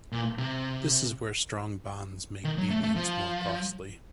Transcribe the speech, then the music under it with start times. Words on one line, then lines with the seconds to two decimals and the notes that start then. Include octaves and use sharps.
This is where strong bonds make deviance more costly.
0.12 A#2
0.38 C3
2.44 D#3
2.58 F#3
2.70 A3
2.83 A3
2.96 F3